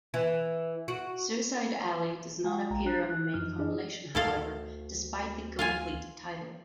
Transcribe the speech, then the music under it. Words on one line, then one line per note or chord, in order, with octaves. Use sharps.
"Suicide Alley" does not appear on the main compilation, however, despite the "complete" title.
E3
F#4
G#3 F4 F5 G5 G#5
A#1 G#3 G5 A#5
D4 A#5 F#6
F#6
F#2 F3 D#4 F6
D4 E4 G4 G#4 D5 D#5
D2 E4 A4 F5
F4 F5 G#5